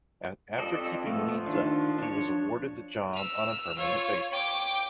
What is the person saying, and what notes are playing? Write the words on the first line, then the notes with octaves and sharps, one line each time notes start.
After keeping Leeds up, he was awarded the job on a permanent basis.
F2 A4 D5 D#5
F3 A3 B3
D#3 D4 F4
D4 C#5
E6 F6
F4 C#5
G5 D6